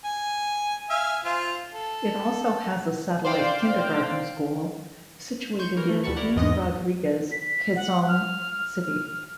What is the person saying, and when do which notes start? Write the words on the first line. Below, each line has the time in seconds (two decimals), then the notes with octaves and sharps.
It also has a satellite kindergarten school situated in E. Rodriguez, Quezon City.
0.05 G#5
0.90 E5 F5 G#5
1.25 F4 C5
1.72 A4
3.25 C5 D5 F5 G5
5.59 C6 C#6 G6
5.77 E3 A#4
5.89 A3
6.04 D2 G3 F#4 A5 B5 C#6
6.16 E4 F#4 A#4 D5 F#5
6.35 G#1 E2 G#2 D#5
7.31 B6
7.76 F#5
8.08 F6
8.82 F6